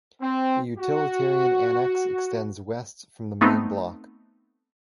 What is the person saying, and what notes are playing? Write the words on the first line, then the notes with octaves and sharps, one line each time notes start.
A utilitarian annex extends west from the main block.
C4
F#4
A3 B3 C4 D#4